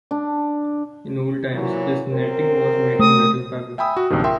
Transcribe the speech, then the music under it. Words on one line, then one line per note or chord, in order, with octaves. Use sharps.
In old times this netting was made of nettle fiber.
D4
A#2 E3 F#3
F#2 C4 A#4
A3 D#6
E5 G5 G#5 B5 D#6 E6
F#4
A#1 F#2 C3 D#3
F4 A#4 E5 G5 C6